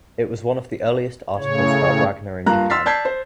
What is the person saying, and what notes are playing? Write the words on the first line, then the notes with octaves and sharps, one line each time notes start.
It was one of the earliest articles about Wagner in Japan.
A2 C#3 C#5
G2 A#3 F4 A#5 F#6
C6 E6 F6 A6 B6 C7
D5 A5 G6 G#6 B6 C7
C5